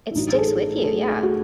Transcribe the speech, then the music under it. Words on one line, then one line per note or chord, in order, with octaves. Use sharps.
it sticks with you, yeah.
E4
A1 A2 F#3 D#4
G#4
A4
G#4
A4
G#4
F#4